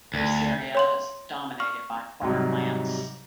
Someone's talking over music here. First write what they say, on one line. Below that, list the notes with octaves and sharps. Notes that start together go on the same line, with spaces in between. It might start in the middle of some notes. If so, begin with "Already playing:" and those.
This area is dominated by farmlands.
D2
C#5 C6 F#7
C#6 F6
G#2 C3 F#3 G3